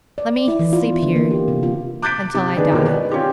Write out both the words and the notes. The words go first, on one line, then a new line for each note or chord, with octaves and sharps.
"Let me sleep here,--until I die."
D5
D5
E4
E3
F4
B3
D3
A#3
G4
C3
F4
D6 F#6 G6 A6 B6 D7
C3 D6
D#3 B3 D4 G#4 B4 D5
D#2 B2 E3 G#3 A#3
B4 D5
C4 C#4 F4 G4